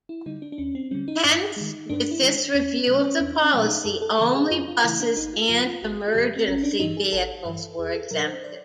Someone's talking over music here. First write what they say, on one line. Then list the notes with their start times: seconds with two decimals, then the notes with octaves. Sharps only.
Hence, with this review of the policy, only buses and emergency vehicles were exempted.
0.09 E4
0.26 D3 G3 D#4
0.42 D4
0.52 D4
0.58 D#2 C#4
0.75 C4
0.91 D3 G3 C#4
1.08 D#4
1.24 G2
1.56 D#3 G#3
1.89 G2 D4
2.11 E4
2.22 D#3 G#3
2.33 D4
2.54 E2 C#4
2.87 B2 F#3 A3
2.98 C#4
3.20 E2 D4
3.43 C#4
3.53 B2 F#3 A3
3.64 D#4
3.85 F#2 A4
4.02 A4
4.18 C#3 E3 A3 A4
4.35 G#4
4.51 F#2 F4
4.68 F4
4.84 C#3 E3 A3 E4
5.00 D4
5.16 G#1 D#4
5.33 F4
5.49 F#2 D3 F#3 F4
5.66 F4
5.82 G#1 F#4
6.08 F#4
6.14 F#2 D3 F#3 G4
6.36 C4
6.48 G#1 C#4
6.63 D4
6.80 G2 E3 D#4
6.97 G#4
7.12 G#1 A4
7.45 G2 E3
7.79 E2 G#4
7.94 A4
8.11 B2 F#3 A#4
8.27 C5
8.44 D5